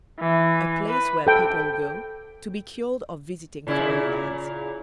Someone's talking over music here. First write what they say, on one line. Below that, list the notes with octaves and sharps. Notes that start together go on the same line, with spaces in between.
A place where people go to be cured of visiting foreign lands.
E3
B4
A4 G5
A#2 C#3 E4